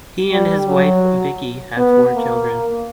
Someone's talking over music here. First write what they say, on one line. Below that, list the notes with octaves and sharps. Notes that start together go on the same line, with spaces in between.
He and his wife Vicky have four children.
G3
F#3
B3
A#3